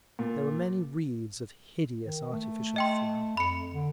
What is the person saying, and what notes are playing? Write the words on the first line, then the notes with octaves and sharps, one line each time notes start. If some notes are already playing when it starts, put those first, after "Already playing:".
There were many wreaths of hideous artificial flowers....
A#2
D#3
A3
D#5 G5 C6
F2 B5 C#7
D3